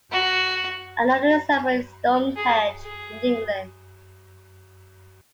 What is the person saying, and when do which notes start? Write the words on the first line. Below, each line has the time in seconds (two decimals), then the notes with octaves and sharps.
Another example is Stonehenge in England.
0.12 F#4
2.36 G#4
2.83 G#4